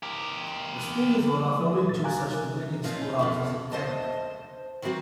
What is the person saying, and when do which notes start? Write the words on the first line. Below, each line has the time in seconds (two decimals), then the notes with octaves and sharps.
The school is one of only two such remaining schoolhouses in Canada.
0.03 G4 A#4
1.60 F3 D#6
1.89 A#2 A6
2.04 F5 G#5 A#5 D6 F#6
2.34 A#4
2.84 A#2 F3 C4 C#4 D#4 F4
3.19 F2 B2 F3
3.72 C5 D#5 A5
4.82 D#3 E3 F#3 C4 F#4